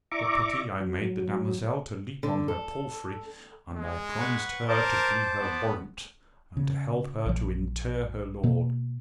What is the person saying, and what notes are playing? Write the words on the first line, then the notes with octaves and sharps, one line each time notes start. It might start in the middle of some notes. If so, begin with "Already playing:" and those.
Then for pity I made the damosel to leap on her palfrey, and I promised her to be her warrant, and to help her to inter her lord.
E4 D5 E5 A#5 C#6 D6
F#3
D3
A4
G#3
B4 F#5 C#6
A#4 C5 A5 D6
B3
C#3
A#1 F3
B2 A#3